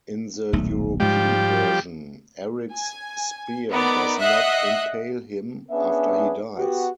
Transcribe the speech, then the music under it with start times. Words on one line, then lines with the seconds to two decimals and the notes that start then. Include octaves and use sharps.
In the European version, Eric's spear does not impale him after he dies.
0.53 D#1 B1 A3
1.00 G#2 F3 G3 G#3 G4
2.72 G#5
3.70 B3 D#4 A#4 D5
4.20 D#5 E5 F#5 F#6 C7
5.71 B3 C#4 D4 G#4 B4 E5
6.58 B3 F#4 G4